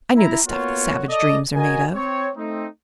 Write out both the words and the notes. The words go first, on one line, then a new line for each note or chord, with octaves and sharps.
I knew the stuff that savage dreams are made of.
E4 A#5
A#3 B3 F4 F#4 C#5
A4 D5 D#5
F#4 A#4 D#5 G#5
C4 C#5
A3 C4 D#4